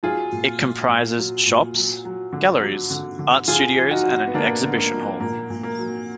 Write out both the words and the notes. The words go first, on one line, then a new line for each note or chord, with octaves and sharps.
It comprises shops, galleries, art studios and an exhibition hall.
F#3 F4 G#4
A#2
A#2
A#2
F#3
A#2
F#3
F#3
D3
F#3
D3
D3
D3 F4 G#4
F3
D#4 F#4
F3
B3
D3 A#3 D4
D3
A#3
F3
A#2 A#3
A#2
A#3
F#3